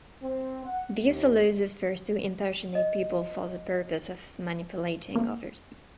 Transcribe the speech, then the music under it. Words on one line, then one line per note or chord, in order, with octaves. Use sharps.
This allows the First to impersonate people for the purpose of manipulating others.
C4
F#5
D#2
D#5
A#3